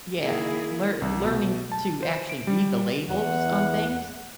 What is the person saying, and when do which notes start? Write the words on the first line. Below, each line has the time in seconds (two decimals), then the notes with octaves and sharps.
Yeah, lear learning to actually read the labels on things
0.20 D#3 A#3 E4 G#4
1.02 C2
1.25 B2
1.72 A5
2.03 C5
2.29 D7
2.47 G3
3.10 E2 F#5